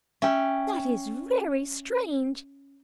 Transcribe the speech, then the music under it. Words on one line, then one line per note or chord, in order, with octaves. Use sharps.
That is very strange!
C#4 E5 G5